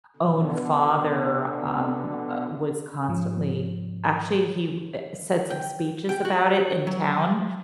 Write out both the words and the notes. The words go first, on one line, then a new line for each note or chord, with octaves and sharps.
own father, um, uh, was constantly Actually, he, eh, said some speeches about it in town,
B2 D3
G#2 F3
G5
G5
F#4
F#3